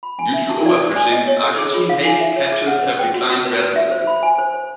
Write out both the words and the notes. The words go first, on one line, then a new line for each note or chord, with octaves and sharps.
Due to over-fishing, Argentine hake catches have declined drastically.
B5
G#5
E5
A5
D5
D5
G#5
D#5
C#5
A4
G#4
F4
F5
G#5
E5
C#5
G#4
F#5
B4
G5
F#4
F#4
B4
B4
E5
C5
B5
G#5
C5
C5